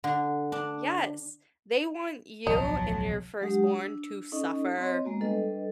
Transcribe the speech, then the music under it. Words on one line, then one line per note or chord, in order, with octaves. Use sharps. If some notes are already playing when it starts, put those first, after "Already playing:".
Yes. They want you and your firstborn to suffer.
D3
D4
D1 B1 F3 F#3 D#4 A5
F#3 G#3 D4 G4 F#5 D#6
D4 E6
C#4 D#4 A4 D#5
C4 C#5 D#5
G#3 A#3 B3 F#4
G3 D4 A4 B4 D#5